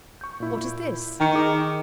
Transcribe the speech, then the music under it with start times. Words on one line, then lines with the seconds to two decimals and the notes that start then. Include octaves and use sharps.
"What is this?"
0.21 C#6 G6
0.40 A#2 E4
1.20 D#3 G5 C#6 C#7
1.35 G#4 D#5 D6